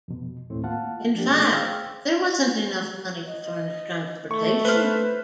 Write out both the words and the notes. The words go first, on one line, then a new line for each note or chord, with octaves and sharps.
In fact, there wasn't enough money to furnish transportation.
F2 B2
D#2 A2 A3 C4
A#3 F4 F5 F#5 A5
F3 D4 G4
B2 A3 C#4 F4 G#4
G#4 C5 F5 G5 E6 F6
D#5
A3 C#6
B4 C5 F6